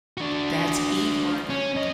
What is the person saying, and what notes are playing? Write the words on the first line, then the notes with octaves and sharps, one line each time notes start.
That's Eve Arden.
D4 F#4
C#4
F2 D#5